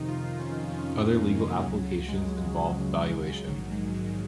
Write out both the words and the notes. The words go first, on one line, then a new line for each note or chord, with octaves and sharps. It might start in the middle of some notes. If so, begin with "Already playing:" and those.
Other legal applications involve valuation.
Already playing: F2 C3 D#3 D#4
F4
C#4
F2 C3 D#3 C#4
A#3
G#3
C#2 C#3 F#3
G#3
C#2 C#3 G#3
F#3
A#1 G#2 D#3 F#3
G#3
G#3